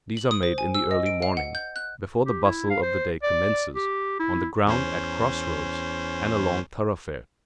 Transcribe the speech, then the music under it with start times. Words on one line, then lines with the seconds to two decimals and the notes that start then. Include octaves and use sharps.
These are made in the early morning, before the bustle of the day commences, on the ground at cross-roads, and along thoroughfares.
0.17 F#7
0.31 D#6
0.43 C5
0.58 G#5
0.74 E6
0.91 D#5
1.06 D7
1.22 F5
1.37 F#5
1.55 G6
1.76 F#6
2.26 G4
2.44 E4
2.70 F5
2.83 C5
3.23 D5
3.76 G4
4.20 E4
4.67 E2 C#4 C5